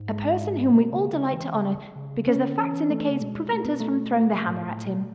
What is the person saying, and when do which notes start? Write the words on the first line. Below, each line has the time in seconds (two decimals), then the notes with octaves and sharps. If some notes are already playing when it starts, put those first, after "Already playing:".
A person whom we all delight to honor because the facts in the case prevent us from throwing the hammer at him.
Already playing: G#2
0.09 G#3
0.71 B2
0.91 C#3
1.13 C#3
1.33 E3
1.54 C#3
1.95 C#3
2.28 C#4
2.35 C#3
2.46 D3
2.58 E3 C#4
2.90 A3
3.10 C#3
3.21 B2 G#3
3.52 A3
3.65 B3
3.80 A3
4.46 A2
4.66 A2
4.88 B2